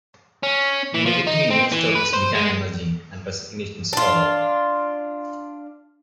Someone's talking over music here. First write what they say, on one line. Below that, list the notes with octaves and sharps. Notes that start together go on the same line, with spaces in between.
Negative news stories began emerging and resignations followed.
C#4
E3
F3
D#4
C4
E3
B4
C5
G#3
D4 F4